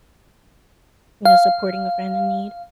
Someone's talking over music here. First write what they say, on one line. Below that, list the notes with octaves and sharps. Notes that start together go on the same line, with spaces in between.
you know, supporting a friend in need?
F5